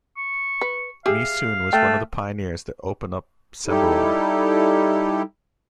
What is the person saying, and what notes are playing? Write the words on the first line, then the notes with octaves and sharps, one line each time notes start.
Nee Soon was one of the pioneers that opened up Sembawang.
C#6
B4
G4 G#4 E5 F5
A3 G5
G3 D#4 E4 G4 A4